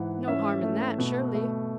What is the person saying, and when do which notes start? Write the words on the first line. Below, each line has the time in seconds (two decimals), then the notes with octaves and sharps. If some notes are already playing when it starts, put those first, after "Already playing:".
"No harm in that, surely."
Already playing: G#2 E3 F#5
0.28 C#4 E5
0.63 A3
0.98 B2
1.35 A3